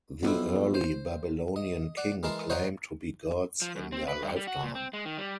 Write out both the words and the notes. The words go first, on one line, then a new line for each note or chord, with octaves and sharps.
The early Babylonian king claimed to be gods in their lifetime.
B1 F2 E4
C5
D#5
D5 F#5
E3 G#3 A#4 A5 C6
C5 C#5 D#5 F#5 A#5 C6
F3
F#2
C4
B4
G2
G3
F#4
A#2
C4
G#3
D#3
G3